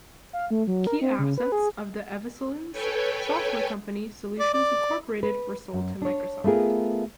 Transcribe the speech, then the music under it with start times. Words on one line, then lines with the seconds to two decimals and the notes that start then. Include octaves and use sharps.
Key assets of the Evslins' software company, Solutions, Incorporated were sold to Microsoft.
0.33 F5
0.50 A3
0.67 F#3
0.87 A#4
1.01 C4
1.19 C#3
1.38 B4
1.52 G#4
2.72 A4 B4 C#5 G5 G#5
4.39 D5
4.54 D5
5.23 B4
5.73 F#2
6.02 D4 C#5
6.44 A3 B3 F4 G#4 A#4